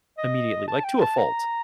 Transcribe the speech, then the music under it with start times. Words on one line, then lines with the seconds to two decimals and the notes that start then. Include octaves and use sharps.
immediately- like, to a fault,
0.18 D#5
0.68 A5
0.84 G5
1.01 A5
1.18 A#5